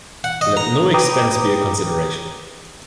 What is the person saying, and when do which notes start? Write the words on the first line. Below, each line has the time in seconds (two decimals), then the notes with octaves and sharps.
Let no expense be a consideration.
0.24 F#5
0.41 D#5
0.57 A#5
0.94 B4 G5 A#5 D6 D#6